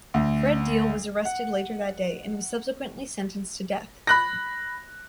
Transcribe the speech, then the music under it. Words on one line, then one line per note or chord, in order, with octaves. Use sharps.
Fred Deal was arrested later that day and was subsequently sentenced to death.
D2
F#5
B5 F#6 A#6